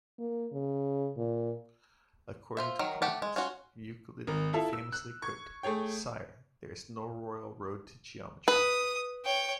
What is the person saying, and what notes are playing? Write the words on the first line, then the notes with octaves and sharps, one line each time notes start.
According to Proclus Euclid famously quipped: Sire, there is no Royal Road to geometry.
A#3
C#3
A#2
F4 C5 E5
D#3 F#3 A#4
A3 G4 F#5 A5
G#3
C#4 F4 F#4
G#1 A#4
E4 F4 A4 E5
E6
F#6
C#6 G#6
A3 G#4 C#5 G5
B4 D#6
C#5 G5